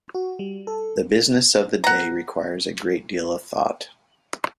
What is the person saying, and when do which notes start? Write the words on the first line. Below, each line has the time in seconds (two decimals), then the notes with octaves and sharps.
The business of the day requires a great deal of thought.
0.14 F#4
0.39 G3
0.67 A4
1.84 F#5 A#5